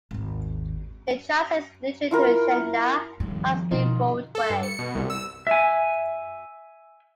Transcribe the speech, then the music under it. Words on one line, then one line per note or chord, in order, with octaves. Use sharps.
It translates literally to Shenda high-speed roadway.
G#1 D#2
E4 F4 A#4
G2 D#3 F3
B2 D3 F3 D#4 F4
A4
G2
C#7
B2
C2
E6
E5 G#5